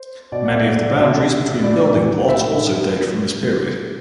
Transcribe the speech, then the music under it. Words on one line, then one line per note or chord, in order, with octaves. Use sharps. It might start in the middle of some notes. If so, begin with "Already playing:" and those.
Many of the boundaries between building plots also date from this period.
Already playing: C5
B2 D5
F#5
E5
D5
B2 E5
A2 D5
E3
A2 E5